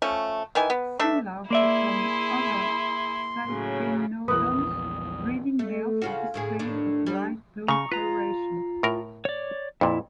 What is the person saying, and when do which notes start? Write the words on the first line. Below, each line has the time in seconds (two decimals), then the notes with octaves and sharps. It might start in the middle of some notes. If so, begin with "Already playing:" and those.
Similar to some other "Cyprinodons", breeding males displayed a bright blue coloration.
0.02 F3 A3 C#4
0.55 D#3 E3 G#5
0.70 B3
0.99 A3 D4 E5
1.51 A#3 E4 G#4 D5 E5 C6
3.47 A2 C#3 F#3
4.28 A#1 E2 E3 A#4 B4 D#6
5.59 A3
6.02 C#3 F4 F#4
6.34 D2 A2 G#4
6.59 D#2 A2 D4
7.06 G3
7.68 C#3 A#5 C#6
7.92 F4 B4 A#5
8.83 A2 A#4
9.25 C#5 D5
9.81 F2 A#2 E4